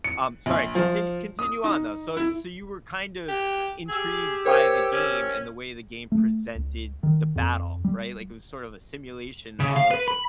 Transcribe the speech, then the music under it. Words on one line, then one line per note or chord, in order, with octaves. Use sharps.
Um, sorry, continu continue on, though. So so you were kind of intrigued by the game and the way the game presented the battle, right? Like, it was sort of a simulation of
C#7
A#1
F3
D#6
D#4
E4
G4
G4 G#4 E6
A#4 C5 C#5 G5
C#4
A3
C#2
D#3
F2
G3
C#3
F5
B4
B5